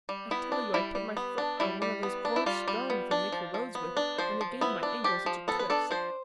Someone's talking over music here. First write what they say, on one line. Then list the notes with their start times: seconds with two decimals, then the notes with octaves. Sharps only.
"I tell you I put my foot on one of those horrid stones they make the roads with, and it gave my ankle such a twist."
0.09 G3
0.31 B3 E4
0.52 D4
0.74 G3 E4
0.95 G3
1.17 B3
1.38 D4
1.60 G3 E4
1.82 G3
2.03 B3
2.25 D4
2.36 E4
2.46 G3 F4
2.68 G3
2.90 B3
3.11 D4
3.32 F3
3.54 F3
3.75 B3
3.97 D4
4.18 F3 C5
4.41 F3
4.61 B3 E4
4.83 D4
5.04 F3 G4
5.26 F3
5.48 B3 A4
5.59 B4
5.70 D4 A4
5.91 F3 C5